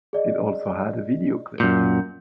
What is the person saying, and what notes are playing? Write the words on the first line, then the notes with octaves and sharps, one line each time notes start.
It also had a video clip.
G#4 D5 D#5
F#2 A#2 G6